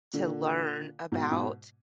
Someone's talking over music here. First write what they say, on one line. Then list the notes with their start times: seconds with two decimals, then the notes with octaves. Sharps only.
to learn about
0.13 A#2 D3
1.12 G#2 B2
1.31 G#2 B2